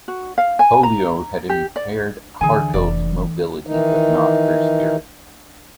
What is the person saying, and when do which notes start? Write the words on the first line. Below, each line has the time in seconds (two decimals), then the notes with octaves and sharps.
Polio had impaired Hartel's mobility but not her spirit.
0.08 F#4
0.38 F5
0.59 G#5
0.83 A#5
1.49 G4
1.76 D5
2.41 D2 D3 E3 G#4 G#5
2.74 F1 D5
3.67 D#3 E3 D#4